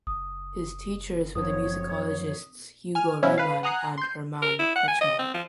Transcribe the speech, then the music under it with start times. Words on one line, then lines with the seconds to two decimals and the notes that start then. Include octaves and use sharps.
His teachers were the musicologists Hugo Riemann and Hermann Kretzschmar.
0.07 F#1 D#6
1.35 F#2 F3 C#5 D#6
2.95 G#5 F6
3.23 B2 F3 F#3 C#4 E4
3.38 B4 F5
3.63 F#5 G#5 A#5 D#6 F#6 C7
3.98 C6 G6
4.42 A#4
4.59 E4
4.76 F#5
4.88 G#5
5.01 D#5
5.19 C4
5.34 F3